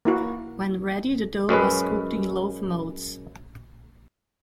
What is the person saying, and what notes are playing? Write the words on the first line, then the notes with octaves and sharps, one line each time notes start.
When ready the dough was cooked in loaf moulds.
A#3 E4 F#4
F#2 G#3 C#4 B4